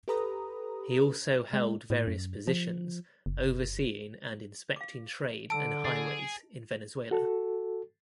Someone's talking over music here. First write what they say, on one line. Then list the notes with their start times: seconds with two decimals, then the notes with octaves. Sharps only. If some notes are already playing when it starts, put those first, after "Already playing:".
He also held various positions overseeing and inspecting trade and highways in Venezuela.
0.08 G4 A4 B4 A#5 B5 D#6
1.53 G#3
1.90 A2
2.07 F#2
2.47 F3
3.26 F#1
4.76 F5 D6
5.50 D3 A5 E6 D7
5.84 G#4 D#5
7.11 F#4 A4